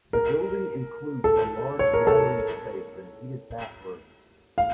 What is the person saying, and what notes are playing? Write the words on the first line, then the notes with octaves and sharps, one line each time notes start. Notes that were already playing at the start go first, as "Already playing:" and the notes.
The building includes a large gathering space and heated bathrooms.
A#4
A4
C#5
A#4
A4
F5